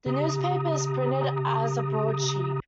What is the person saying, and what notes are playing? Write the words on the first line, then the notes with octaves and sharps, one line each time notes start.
The newspaper is printed as a broadsheet.
C#3 G4 A#5 D#6